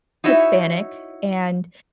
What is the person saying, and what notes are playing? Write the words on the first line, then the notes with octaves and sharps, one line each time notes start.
Hispanic, and
D#4 E4 F#4 C#5 E5